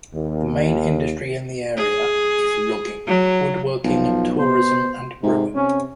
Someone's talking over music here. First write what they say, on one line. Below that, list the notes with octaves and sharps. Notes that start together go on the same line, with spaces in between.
The main industry in the area is logging, woodworking, tourism, and brewing.
D#2
G#4
F#3
B1 F3
B2 C5
G#2 C3
C3 C#4